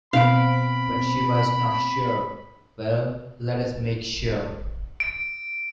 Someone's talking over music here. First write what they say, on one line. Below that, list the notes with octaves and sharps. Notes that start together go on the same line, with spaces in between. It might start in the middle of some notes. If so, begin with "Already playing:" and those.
But she was not sure - well, let us make sure!
B2 C4 F5 B5 D7
D7